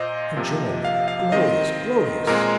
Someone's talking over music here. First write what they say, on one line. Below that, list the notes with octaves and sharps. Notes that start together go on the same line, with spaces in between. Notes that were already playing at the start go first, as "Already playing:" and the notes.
By Jove! glowious! glowious!
Already playing: A#2 A#3 C5 D#5
C3 F3 A#3
F5
F5
D#3 C4 D#5
A#2 G#3 C4 A#4